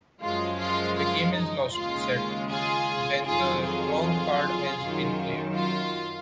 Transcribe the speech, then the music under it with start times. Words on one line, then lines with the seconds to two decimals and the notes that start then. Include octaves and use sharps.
The game is lost, he said, when the wrong card has been played.
0.21 F#2 F3 G#3 F4
0.59 F4
0.97 F4
1.36 D#4
1.73 D#2 C#3 G#3 F4
2.50 F4 G#4
3.26 F2 D#3 F#3 F4 G#4
3.64 F4 G#4
4.80 F#2 D#3 F#3
5.55 F4